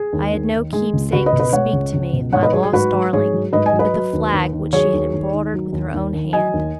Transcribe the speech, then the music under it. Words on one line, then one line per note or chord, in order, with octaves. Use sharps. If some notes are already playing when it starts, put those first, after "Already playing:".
I had no keepsake to speak to me of my lost darling but the flag which she had embroidered with her own hand.
Already playing: G#4
D#2
D#2
D#3
G#3 G#4
C#2
C#2 F#4 B4
B4 D#5
B2
B4 D#5
G#3 C#5 F#5
C#2
C#2
B2
G#2 C#5 F#5
B4 D#5
F#3 G#4 C#5
G#4
G#2 F#4 B4
F#3
G#2 G#4 C#5
F#3
G#2 B4 D#5
D#5 G#5
F#3
B4 D#5
F#3
D#2
D#2
D#3
F#3 G#4 C#5
D#2
D#2
D#3
F#3
D#2
D#2
D#3
F#3 D#5 G#5
D#2